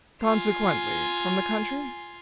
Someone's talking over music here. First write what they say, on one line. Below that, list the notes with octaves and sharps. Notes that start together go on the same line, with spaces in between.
'Consequently, from the country?'
F4 G#5